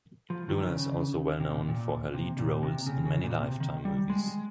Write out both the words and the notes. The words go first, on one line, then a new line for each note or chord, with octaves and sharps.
Luner is also well known for her lead roles in many Lifetime movies.
F3
D#3
C#3
C3
A#2
A#2
C3
A#2
C3
C#3
C#3
A#2
C3
D#3
G3
G#3